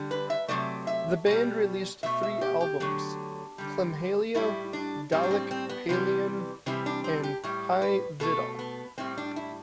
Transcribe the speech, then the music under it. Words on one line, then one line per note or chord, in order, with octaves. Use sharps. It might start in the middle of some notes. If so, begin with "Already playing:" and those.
The band released three albums, "Clymhalio", "Dalec Peilon" and "Hei Vidal!".
Already playing: D3 G3
B4
E5
C3 F#3 A3 D5
E5
B2 G3
B2 A3 E5
E5
G4
G4
D3 F#3 A3
D3 G3
A2 G3 E4
D4
A2 G3 C4
D4
C4
C4
B3
C3 E3 G3
C3 E3 G3 C4
D4
C4
G4
A2 G3
B4
B2 A3 A4
B3
A2 G3 C4
D4
E4